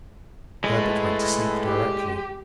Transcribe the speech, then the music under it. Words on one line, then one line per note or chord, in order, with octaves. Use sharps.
Herbert went to sleep directly.
A2 G#3 B4
G4